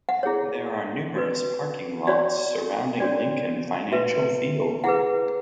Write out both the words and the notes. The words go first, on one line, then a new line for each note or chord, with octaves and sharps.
There are numerous parking lots surrounding Lincoln Financial Field.
F#5
E4 G#4 C#5
F#4 B4
F#4 C#5 D5
D4 F#4 C#5 D5
F#4 B4 E5
E4 G#4 B4 F#5